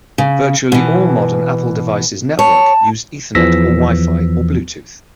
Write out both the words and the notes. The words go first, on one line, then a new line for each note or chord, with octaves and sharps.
Virtually all modern Apple devices network use Ethernet or Wi-Fi or Bluetooth.
C#3
B2 E3
C#5 A5
E2 E3 F3 E6 A#6 B6